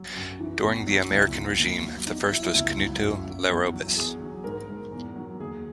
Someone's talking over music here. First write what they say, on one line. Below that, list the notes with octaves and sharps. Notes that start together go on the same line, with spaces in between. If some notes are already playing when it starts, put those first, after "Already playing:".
During the American regime the first was Canuto Larrobis.
Already playing: F#3
F#2 F#4
E3
E2
F#3
C#2 E4
F#3
D#2
F#3
E2 D#4
F#3 E4
E4
C#2 E4
F#3
F#2
F#3
E2
F#3
E2 G#4
F#3
G#2 A#4
G#2
E2
F#3
D#2 G#4